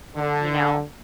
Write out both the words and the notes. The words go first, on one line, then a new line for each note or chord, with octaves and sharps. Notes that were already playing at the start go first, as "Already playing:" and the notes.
You know?
D3